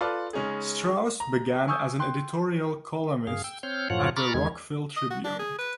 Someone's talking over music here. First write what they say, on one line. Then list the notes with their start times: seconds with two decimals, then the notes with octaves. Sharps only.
Strauss began as an editorial columnist at the "Rockville Tribune".
0.01 F4 A4 B4 D5
0.33 C#3 G#3 C#4 D#4 G#4
1.20 A#5
1.68 G#5 C#6 D#6 E6 G6
1.99 G5 C6 F#6
3.27 G2 G#4 F5
3.44 G5 E6
3.63 C4 C#5 F6 G6
3.90 F#2 A2 F3 F4 C#5 F#5
4.17 A#5 B5 C#6 D6 F6 A6
4.34 E2 D#3 G#3 G#6
4.96 D#5
5.10 F#4
5.24 D4
5.39 G#4
5.58 B4